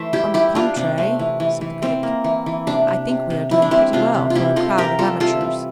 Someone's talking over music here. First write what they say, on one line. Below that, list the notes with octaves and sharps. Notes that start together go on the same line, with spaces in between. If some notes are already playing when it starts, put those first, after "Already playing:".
"On the contrary," said the Critic, "I think we are doing pretty well for a crowd of amateurs."
Already playing: E3 A3 C5 E5
G3 E4 G4
G3 E4 G4
G3 D4 F4
C3 D4
A3 C4
E3
E3
E3
E3 C4
A#3
E3
E3
C3 D4
C3
C3
C3
E3 E4
D4
G3 C4 E4
C3 D4 F4
C3
F4
C3 E4 G4
C3 F4 A4
C3 G4 A#4
G3 F4 A4
C3 F4 A4
E3